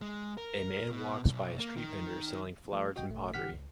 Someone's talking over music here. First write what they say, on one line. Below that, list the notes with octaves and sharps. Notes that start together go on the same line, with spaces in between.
A man walks by a street vendor selling flowers and pottery.
G#3
A#4
B2
B1
A#3
D#3
F3 A3
F#4 D#5 G5
G#1 A#2 A3
D#3 G4 F#5 F6 B6
C#2